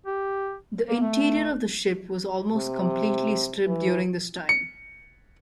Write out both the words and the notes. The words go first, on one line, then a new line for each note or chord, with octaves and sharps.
The interior of the ship was almost completely stripped during this time.
G4
A#3
A3
C3
E3
C#7